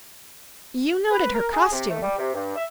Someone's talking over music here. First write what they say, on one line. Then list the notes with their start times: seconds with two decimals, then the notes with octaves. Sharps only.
You noted her costume.
1.11 B4
1.34 A#4
1.54 G#4
1.72 C3
1.90 A3
2.02 G3
2.19 C3
2.34 G2
2.56 E5